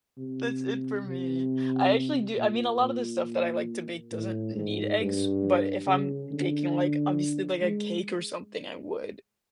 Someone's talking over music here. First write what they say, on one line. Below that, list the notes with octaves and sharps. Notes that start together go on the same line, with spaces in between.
That's it for me. I actually do. I mean, a lot of the stuff that I like to bake doesn't need eggs. But if I'm baking, like, obviously, like a cake or something, I would.
C3
C3
A#2
A#2
A2
G#2
G2
C#3
D3
G#3